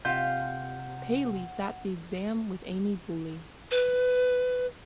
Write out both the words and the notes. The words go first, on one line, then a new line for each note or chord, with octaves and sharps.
Paley sat the exam with Amy Bulley.
C3 F4 F5 F#5 G6
B4